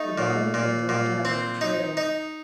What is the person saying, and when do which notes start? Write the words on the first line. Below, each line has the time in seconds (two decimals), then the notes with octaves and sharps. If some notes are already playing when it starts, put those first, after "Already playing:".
The bottom had dropped out of the trail.
Already playing: A3 D#4
0.18 A#2
0.54 A#2
0.89 A#2
1.25 C4
1.61 D#4
1.97 D#4